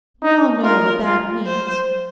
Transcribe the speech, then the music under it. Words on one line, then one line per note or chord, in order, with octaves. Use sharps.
We all know what that MEANS.'
D#4
F4 A#4
F4
C5